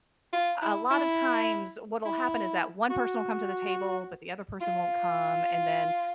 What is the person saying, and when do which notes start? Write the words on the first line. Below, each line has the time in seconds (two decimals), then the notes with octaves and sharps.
a lot of times what'll happen is that one person will come to the table, but the other person won't come. And then
0.33 F4
0.62 E4
0.91 E4
2.05 E4
2.90 F#4
4.61 F4